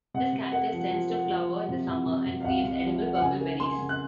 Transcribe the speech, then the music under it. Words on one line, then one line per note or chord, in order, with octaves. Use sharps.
This cactus tends to flower in the summer and creates edible purple berries.
C3 F#5
C3
A#3 F#5
F3
F3
A#3
F3
F3
C3
C3
C3
C3
F5
C2 F#5
C3
F3
A#3
F#5
C#3 G#5
A#3
A#3 C6
C#3
F#6